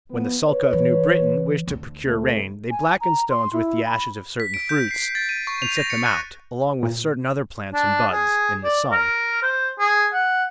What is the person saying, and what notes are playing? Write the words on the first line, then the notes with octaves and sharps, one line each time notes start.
When the Sulka of New Britain wish to procure rain they blacken stones with the ashes of certain fruits and set them out, along with certain other plants and buds, in the sun.
F3 B3
B4 C#5
E3
D2 D3
C3 A3
G#5
A#5
C6
E4
B5
B6
D7
G6
C7
A6
D#7
C#6
F7
A#6
C#7
F#6
A#2
D4
G#4
D5
A#4
C5
G#4
F#5